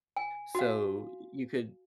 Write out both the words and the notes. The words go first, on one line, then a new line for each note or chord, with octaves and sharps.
so, you could
G#5
F#4 F5